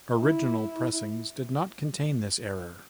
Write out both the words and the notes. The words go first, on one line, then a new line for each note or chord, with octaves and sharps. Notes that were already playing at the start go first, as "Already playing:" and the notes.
Original pressings did not contain this error.
E4